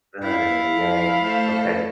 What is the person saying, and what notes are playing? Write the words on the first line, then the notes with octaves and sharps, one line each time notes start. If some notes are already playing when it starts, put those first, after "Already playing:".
Ay, ay, ay. Okay.
E4 F5
F3
A3 A4 C5